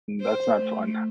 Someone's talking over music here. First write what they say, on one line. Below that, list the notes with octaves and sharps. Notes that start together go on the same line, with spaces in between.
that's not fun.
C5
A3